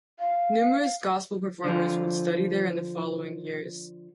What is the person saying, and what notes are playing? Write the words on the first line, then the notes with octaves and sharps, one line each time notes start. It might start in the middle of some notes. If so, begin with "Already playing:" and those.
Numerous gospel performers would study there in the following years.
F5
D3 F3